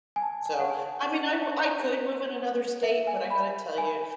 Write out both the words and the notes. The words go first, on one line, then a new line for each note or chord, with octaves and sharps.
So, I mean, I wou could move in another state, but I got to tell you,
G#5
A5
G#5
F#5
G#5
E5
G#5
B5
G#5